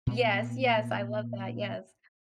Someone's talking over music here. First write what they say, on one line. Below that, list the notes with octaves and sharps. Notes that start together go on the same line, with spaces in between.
Yes, yes, I love that, yes.
A#2 B3